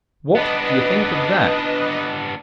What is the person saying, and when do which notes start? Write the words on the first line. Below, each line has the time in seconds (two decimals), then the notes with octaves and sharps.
"What do you think of that?"
0.35 B3 D4 B4 D#5